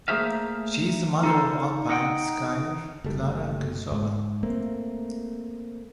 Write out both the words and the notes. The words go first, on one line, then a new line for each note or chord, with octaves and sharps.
She is the mother of alpine skier Klára Křížová.
A3 A#3 G#4 C5 E5 F5
D#4 F4 A4 C5
D#4 F#5 G5
F#1 G3 A3
G#2
A3 A#3 C4